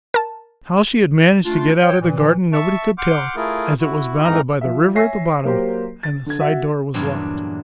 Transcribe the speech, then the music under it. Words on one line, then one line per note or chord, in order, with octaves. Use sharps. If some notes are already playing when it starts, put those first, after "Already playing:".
How she had managed to get out of the garden nobody could tell, as it was bounded by the river at the bottom, and the side door was locked.
A#4 A5
A3 D4 F4
C#5 G5
A#2 E3
E5 A5 C#6
F#5 C6 D6 F6 G6
A3 E4 F4 G#4 A#4
E4 F#4
F2 G#2 E3 D#4 A#5 F6
F3 E5
C#5 E5 G#5 A#6 C7
F#3 A#3 G4 C5
A6
D3 G#6
F#4 E5
E2 G2 A#2 F#3 D4